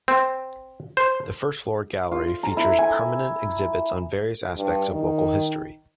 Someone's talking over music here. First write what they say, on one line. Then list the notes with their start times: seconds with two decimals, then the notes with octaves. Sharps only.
The first floor gallery features permanent exhibits on various aspects of local history.
0.08 C4
0.97 C5
2.12 F4
2.43 A#5
2.57 E4
2.78 G#5
4.57 G2
4.93 D#3